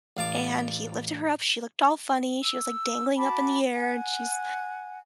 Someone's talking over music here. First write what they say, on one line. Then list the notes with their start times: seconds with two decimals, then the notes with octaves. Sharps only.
and he lifted her up, she looked all funny, she was, like, dangling up in the air, and she's,
0.17 A1 F5 A5 D6
2.40 E6
3.17 F#4 A5 B5 D6
3.75 F#5 G#5